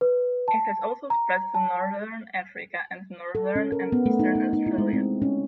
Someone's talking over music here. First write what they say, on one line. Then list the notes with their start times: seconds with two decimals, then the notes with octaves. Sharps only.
It has also spread to Northern Africa and Northern and Eastern Australia.
0.01 B4
0.48 A5
1.10 A#5
1.55 A5
3.35 A4
3.56 C#4
3.72 A#4
3.92 B3
4.06 A3
4.19 D#4
4.35 D#4
4.53 D#4
4.66 E4
4.78 G#3
4.93 C4
5.22 C#4